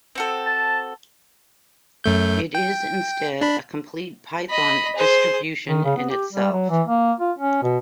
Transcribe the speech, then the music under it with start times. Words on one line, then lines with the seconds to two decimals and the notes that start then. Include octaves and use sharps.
It is instead a complete Python distribution in itself.
0.15 C4 F#4 A4
0.46 A5
2.04 F#2 A3 G6
2.55 G5
3.41 D4 B5
4.49 D#5 B5
4.96 G#4 C5
5.68 D#3
5.85 C#3
5.97 B3
6.10 G4
6.33 G3
6.52 F#3
6.70 E3
6.87 A#3
7.20 F4
7.39 C#4
7.63 B2